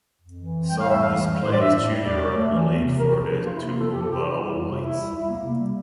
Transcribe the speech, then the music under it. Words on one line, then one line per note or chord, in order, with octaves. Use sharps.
Saunders played his junior rugby league for the Toowoomba All Whites.
F2
E3
C4
G3 G5
F2 F5
E5
E3 F5
A2
G3
A2 C5
D5
D4 E5
A2
G3
E2 D5
C3
A3
E3
E2
C3
C3 A#4
G4
F3
A4
D4 G4
A#3 F4
E4
C3
F4
F3 A4
F2 G4
A4
C3 G4
D4
G3 F4
E4
F2
F4
C3 E4
C3 E4
G3
E4
A#3
C3
G3